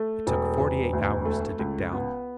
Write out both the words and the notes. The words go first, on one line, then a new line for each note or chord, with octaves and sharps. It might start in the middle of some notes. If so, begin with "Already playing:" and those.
It took forty-eight hours to dig down.
Already playing: A3
E1
E1
D2
A3
C#2
B3